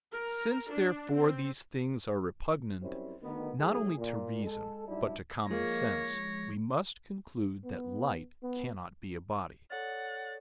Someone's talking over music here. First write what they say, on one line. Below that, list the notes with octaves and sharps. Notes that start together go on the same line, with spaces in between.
Since, therefore, these things are repugnant, not only to reason, but to common sense, we must conclude that light cannot be a body.
A#4
D4
C4
F#2 G3 C4 C#4 E4 C5
D2 D#3 B3
B1 A2 F#3 G#4
A#2
G#3 A4
G#2 F#3 G3 D4 E4
F3 G#3 A#3 C#5 A#6
B3
B3
A4 C#5 D5 F#5 A6